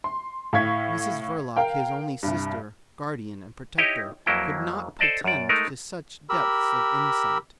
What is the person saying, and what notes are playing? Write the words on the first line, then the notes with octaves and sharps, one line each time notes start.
Mrs Verloc, his only sister, guardian, and protector, could not pretend to such depths of insight.
C6
A2 F5 C#6 G#6 B6
A#4 F5 G5
C2 G2
D#4 E4 G4 C#5 D#5
F2 F#3 A#3 E4 G5
A4 C5 D5 D#5 A5
F#2 D5
G#3 A3 D#4 A#4
G4 A#4 B5 E6